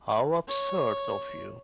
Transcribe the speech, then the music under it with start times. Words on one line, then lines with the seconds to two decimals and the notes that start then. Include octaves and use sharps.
How absurd of you!
0.47 C#5